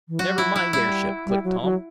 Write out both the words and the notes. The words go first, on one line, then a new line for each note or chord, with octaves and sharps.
"NEVER MIND AIRSHIP," clicked Tom.
E3
F#3 F#4
E4
E4
G3 E4
G3
F#3
F#3